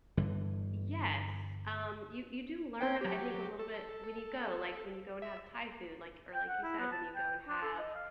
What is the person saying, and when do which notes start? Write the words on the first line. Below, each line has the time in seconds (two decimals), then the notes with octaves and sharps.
Yes, um, you you do learn, I think, a little bit when you go like when you go and have Thai food, like or like you said, when you go and have
0.17 G1 G2 D3 E3
2.81 C4 C5 G5
3.01 F#3 G4
3.59 A4
5.22 E5
6.34 G5
6.48 F#5
6.63 E4
6.79 B3
6.92 A5
7.15 G5
7.48 D4
7.62 A4
7.79 D#5
7.95 F5